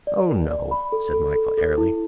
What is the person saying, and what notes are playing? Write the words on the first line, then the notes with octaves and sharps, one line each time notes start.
"Oh, no," said Michael, airily.
D5
A#4
D5
B5
A4
A4
A4
A4
E4